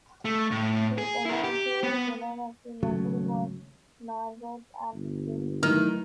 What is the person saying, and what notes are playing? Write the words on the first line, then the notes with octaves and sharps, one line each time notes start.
The inaugural winner of the medal was Norwood's Alby Green.
A3
A2
G#4
E4 A#4
G4
B3
G#1 C#3 F#3 A3
G1
D#3 F#3 A3 E4 F6